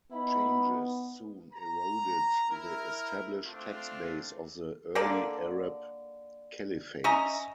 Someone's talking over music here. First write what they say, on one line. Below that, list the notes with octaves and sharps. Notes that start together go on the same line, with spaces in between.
Changes soon eroded the established tax base of the early Arab Caliphates.
B3 D#4 E4 B5
A#5
E4 A#4
A3 C4 D4 F4
D3 A#3 A4 D5
C#4 D#5 E5 A#5